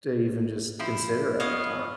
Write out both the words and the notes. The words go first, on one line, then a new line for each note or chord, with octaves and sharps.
to even just consider at the time.
F3 E4
B3 C#5 D#5 F5